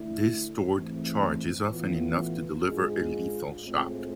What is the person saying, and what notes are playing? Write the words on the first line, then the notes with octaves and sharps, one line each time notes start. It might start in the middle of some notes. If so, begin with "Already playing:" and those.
This stored charge is often enough to deliver a lethal shock.
Already playing: D3 A3 E4
G#2 E3 A3 C4
A2 E3 B3 F4
G#2 G#3 D4 F4
A2 G#3 C4 F4